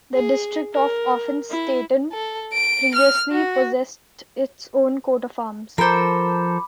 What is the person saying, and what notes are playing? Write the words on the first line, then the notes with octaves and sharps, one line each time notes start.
The district of Offenstetten previously possessed its own coat of arms.
G#4
A#4
E4
A4
D7
F6
F#4
F3 A4 A#4 C5 B5 D6